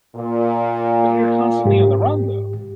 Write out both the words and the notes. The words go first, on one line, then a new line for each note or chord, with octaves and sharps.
But you're constantly on the run, though.
A#2
G#2 G4